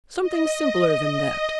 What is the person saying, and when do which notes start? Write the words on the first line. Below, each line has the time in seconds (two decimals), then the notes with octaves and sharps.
Something simpler than that.
0.20 D#5